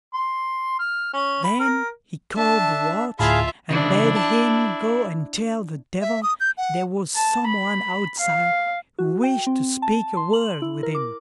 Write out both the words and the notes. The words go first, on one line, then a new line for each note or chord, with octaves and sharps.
Then he called the watch, and bade him go and tell the Devil there was some one outside who wished to speak a word with him.
C6
F6
C#4
B5
A#4
D4 E5 A5
D2 A2 F4 G#4 E5 F5 A5 B5
C#3 E3 D4 E4
A5
E5
D#6
G6
F#5
A5
B5
F5
F#4
G5
C4
A5
C6
F#7
E4
A#4
D6